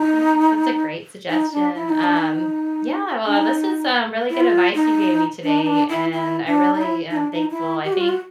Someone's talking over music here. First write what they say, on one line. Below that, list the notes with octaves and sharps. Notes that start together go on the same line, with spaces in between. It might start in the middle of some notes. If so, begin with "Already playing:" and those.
Yeah. That's a great suggestion. Um, yeah. Well, this is, um, really good advice you gave me today, and I really am thankful. I think
Already playing: D#4
D#4
D4
E4
D#4
D4
D#4
D4
D#4
E4
F4
D#4
D4
D#4
D4
E4
E4
D4
D#4
E4
D#4
D4
D#4
E4
G4
F#4
F4
F#4